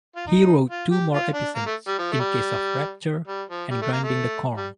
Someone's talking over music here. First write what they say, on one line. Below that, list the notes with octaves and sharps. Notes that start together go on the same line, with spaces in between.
He wrote two more episodes - "In Case of Rapture" and "Grinding the Corn".
F4
D#4
F4
G4
F4
D4
A#3
A3
G3
F3
A3
G3
G3
F3
G3
A3
A#3
A3
G3